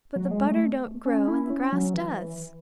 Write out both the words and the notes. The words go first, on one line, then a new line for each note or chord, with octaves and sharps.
But the butter don't grow, and the grass does.
F#3
G#3
A3
C#4
E4
C#4
F#3
E3